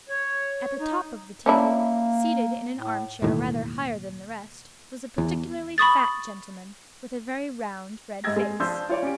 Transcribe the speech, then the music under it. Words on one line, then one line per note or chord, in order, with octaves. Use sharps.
At the top of the table, seated in an arm-chair rather higher than the rest, was a particularly fat gentleman with a very round, red face.
C#5
D#4
A#3 C#4 D4 E4
A2
E1 D#2 A2
E2
B5 C#6 D#6 A6
G#2 D#5 E6 G#6 A#6
G#3
F3 D4 C6 E6 G6
F4 C#5 D5
C#4 G4 D7